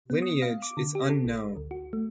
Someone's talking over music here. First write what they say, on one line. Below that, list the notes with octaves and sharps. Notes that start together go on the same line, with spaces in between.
Lineage is unknown.
B3
D#6
F5
D6
D3
G4
A4
A1
D2
F#4
A3